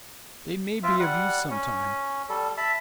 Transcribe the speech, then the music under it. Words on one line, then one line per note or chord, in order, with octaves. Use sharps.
They may be of use some time.
C4 F4 E5
G3 F#5
C#4
G3 A4
E5 A5 B5